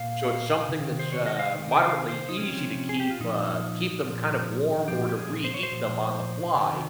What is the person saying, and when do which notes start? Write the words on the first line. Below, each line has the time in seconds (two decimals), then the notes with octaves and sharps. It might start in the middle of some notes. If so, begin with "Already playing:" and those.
So, it's something that's, uh, moderately easy to keep uh, keep them kind of warm or to reheat them on the fly,
Already playing: A#2 F5
0.69 C3
0.74 D#3
0.99 C5
1.13 C#5
1.26 D#5
1.39 F5
1.52 C3 D#3
1.72 G5
1.81 F5
2.08 C5
2.29 D#4
2.37 C3 F3 C#4
2.89 G#4
3.00 G4
3.10 F4
3.20 A#2 F3 D#4
4.04 A#2 F3
4.88 A#2 F3 G4
5.09 G4
5.16 G#4
5.44 C5
5.54 C#5
5.63 C5
5.72 A#2 F3
6.55 C3 D#3